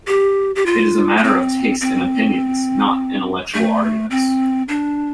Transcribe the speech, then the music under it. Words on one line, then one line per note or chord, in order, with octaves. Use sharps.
It is a matter of taste and opinions, not intellectual arguments.
G4
G4
F4
A3
C4
C4
A3
C4
D4